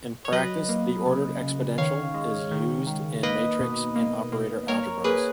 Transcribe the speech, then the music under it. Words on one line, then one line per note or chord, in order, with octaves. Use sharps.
In practice the ordered exponential is used in matrix and operator algebras.
C#5
F#3 B4 D#5
A#3
C#3
C#3
D#3 C#5 F5
G#3
D#3
D#3
A#3 B4 D#5
B2
A#3
A#3
A#3 A#4 C#5
A#3 G#4 B4